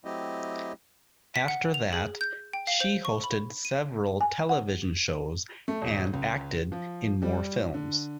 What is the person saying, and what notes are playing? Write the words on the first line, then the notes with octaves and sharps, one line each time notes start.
After that, she hosted several television shows and acted in more films.
F#3 A3 C4 E4 G4 D#5
B6
F#5
F7
G#4
G6
G5
F5
C5
C#6
B5
D#7
G#5
F#5
A3
D#1
C#2
F3
G3
D3